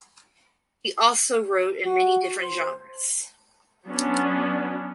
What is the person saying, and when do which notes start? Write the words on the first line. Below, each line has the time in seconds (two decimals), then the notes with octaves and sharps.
He also wrote in many different genres.
1.86 F#4
2.41 C5
3.88 F#3 B3 C#4 D4